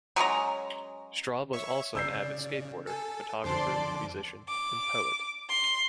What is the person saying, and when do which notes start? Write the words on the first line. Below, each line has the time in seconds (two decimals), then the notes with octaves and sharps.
Straub was also an avid skateboarder, photographer, musician, and poet.
0.16 F#3 G#3 C#4 A#5
1.53 C#5 E5 C#6
1.95 C#3 D5 E6 G6 C7
2.87 A4 G#5
3.44 F2 D3 C5 D5 A5 C6 D6
4.48 D6
5.50 C6